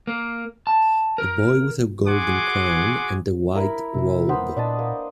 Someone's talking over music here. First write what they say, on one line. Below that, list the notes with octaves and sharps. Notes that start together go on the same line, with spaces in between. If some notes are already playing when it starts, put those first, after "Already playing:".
A boy with a golden crown and a white robe.
A#3
A5
A#4
F#4 G#4 F#5 G#5 C6 D6
E4 A#4 B5
C3 E4 E5
B3 C5 B5
A#2 D4 D#5 A5
A#3